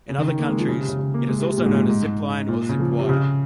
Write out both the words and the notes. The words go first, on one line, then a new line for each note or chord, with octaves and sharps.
In other countries, it is also known as a zip-line or zip-wire.
C#3
D#3
D#3
A#3
G#3
F3
C#3
C3
C#3
C#3
A#3
G#3
C3
C3
A#2
G#2
A#2
G#2
G#2
A#2
C#3
F3
C3
C#3